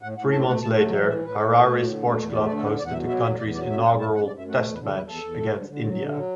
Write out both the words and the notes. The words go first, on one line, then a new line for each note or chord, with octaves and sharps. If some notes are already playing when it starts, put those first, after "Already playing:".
Three months later, Harare Sports Club hosted the country's inaugural Test match, against India.
A2 F#5
A2 F#5
A3 A5
A3 F#5
A3 A5
F#3 F#5
E3 E5
A2 E5
A2 B4
A2 A4
B4
A3
A2
D3
A3
E2
A3 D5
D3 D5
A4
E2 B4
E2 D5
F#5
B2 E5
F#3 E5
E2 E5
E2 D5
F#3 D5
F#2 E5
F#2 F#5
F#2 A5
F#2 F#5
D5
F#2
E5
A3 F#5
E2
B4
D3
A4
E2 B4
E2 A4
E2
A3
D3
D3
F#3
D3
F#3